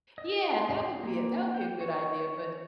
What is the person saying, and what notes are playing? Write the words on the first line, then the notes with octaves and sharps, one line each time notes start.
Yeah, that would be that would be a good idea, but
D#5
C6
A#3
G5
C#5